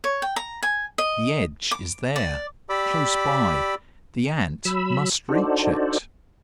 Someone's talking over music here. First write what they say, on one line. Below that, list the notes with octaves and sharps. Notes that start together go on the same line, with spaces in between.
The edge is there, close by; the Ant must reach it.
C#5
G5
A#5
G#5
D#5
D6
D5
G4 D5 B5 D6 E6
F#3 B5 E6
D4 D#4 F#4 A4 C5 D5